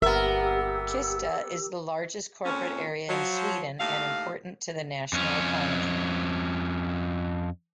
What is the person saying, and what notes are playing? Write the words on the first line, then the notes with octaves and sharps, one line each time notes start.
Kista is the largest corporate area in Sweden and important to the national economy.
G1 B3 G4 A#4 E5 E6
F2 A#2 C#4
F3 F#3
D#2 A2 F5
F2 C#4